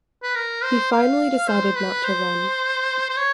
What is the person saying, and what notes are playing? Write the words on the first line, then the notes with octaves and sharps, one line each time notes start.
He finally decided not to run.
B4
A#4
C5
F5
C5
B4
C5
C5
C#5